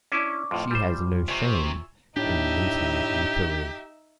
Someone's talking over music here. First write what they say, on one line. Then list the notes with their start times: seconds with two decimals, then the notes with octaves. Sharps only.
She has no shame in meeting Yukari.
0.12 C#4 D4 E4 C#6 D6
0.51 F2 A2 F4 C6
0.71 G3 C5 G#5 C6
1.28 C3 E5 G#5 C#6
2.16 A2 D4 D#4 G4 E5